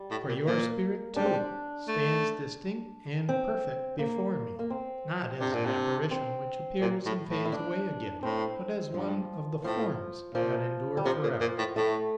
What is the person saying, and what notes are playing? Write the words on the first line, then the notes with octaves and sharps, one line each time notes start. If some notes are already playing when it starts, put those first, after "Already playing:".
For your spirit, too, stands distinct and perfect before me, not as an apparition which appears and fades away again, but as one of the forms that endure forever.
Already playing: G3
A2
A#2
A#2 A#3
G3 D4
C4
D4
A3
C4
A#3
A#3
C4
C3 D4
A#2
C3
C4
A#2
A2
A2
E4
D4
A2 C4
G2 F3
A2 F3
A#2 F3
G3
C3 F3
A#2
A#2
A2
A2 A3